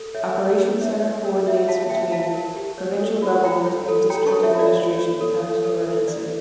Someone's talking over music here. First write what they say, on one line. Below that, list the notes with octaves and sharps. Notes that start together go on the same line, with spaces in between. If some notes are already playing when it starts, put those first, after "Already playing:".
Operation Center coordinates between provincial government and District administration in times of emergency.
Already playing: A4
C#5 E5
A#4
D5
E4
E4 C#5 E5
C#5
A#4
A#4 C#5 E5
G4 F5 A5
C#5 E5 G5
E4 F5 A5
A#4
G4
C#5
A4
F4
F4 G5 A#5
C#5
A4
C#5 G5 A#5
A5 C#6
A4
C#5 E5
F4
D5
F4
C#5
A4
C#5
A4
E4
E4 D5